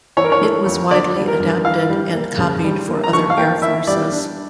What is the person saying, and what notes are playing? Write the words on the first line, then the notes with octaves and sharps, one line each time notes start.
It was widely adapted and copied for other air forces.
E3 C#5
A#4
C#5
A3
F2
D3 D5
G3
A#4
G2
E3 F5
G3
A#3
C#3
G3
A#3
A#5
F3 C#6
F5
A#3 G5
E4 E5
G3 D5
D4